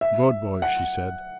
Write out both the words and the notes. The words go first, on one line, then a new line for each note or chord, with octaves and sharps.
"Good boy!" she said.
E5
F#5